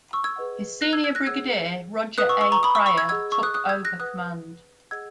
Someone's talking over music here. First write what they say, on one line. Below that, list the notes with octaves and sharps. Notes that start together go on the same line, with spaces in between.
His senior brigadier Roger A. Pryor took over command.
C#6 E6
E6 G#6
G#4 B4 D#5 F#5
F#6 A#6
E6 G#6
E6 G#6
F#6 A#6
G#4 C#5 F#5 E6 G#6
B4 D#5 F#5 D#6 F#6
C#6 E6
C#6 E6
A#5 C#6
B5 D#6
C#6 E6
C#6 E6
E6 G#6
G#4 D#5 F#5 E6 G#6
C#6 E6
D#6 F#6
D#6 F#6
E6 G#6
F#6 A#6
B4 F#5 D#6 F#6
G#4 D#5 F#5 E6 G#6